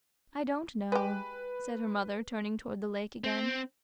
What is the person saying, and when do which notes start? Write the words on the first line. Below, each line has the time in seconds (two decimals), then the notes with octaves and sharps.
"I don't know," said her mother, turning toward the lake again.
0.92 G#3 G4 B4
3.24 C4